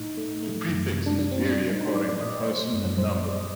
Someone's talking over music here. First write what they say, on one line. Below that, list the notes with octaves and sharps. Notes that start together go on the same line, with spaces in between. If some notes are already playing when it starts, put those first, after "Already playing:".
The prefixes vary according to person and number.
Already playing: A2 D#4
A3
A3
F#2
C3
D4
G3 D4
C4
A2 D4
G3 D#4
C5
A3 D5
D5
A#2 D#5
D5
A3 C5
F#2
A#2 C5
C5
G3 D5
D#5